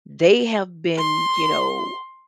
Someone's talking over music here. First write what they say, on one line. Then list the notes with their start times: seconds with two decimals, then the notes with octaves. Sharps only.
they have been, you know,
0.98 C6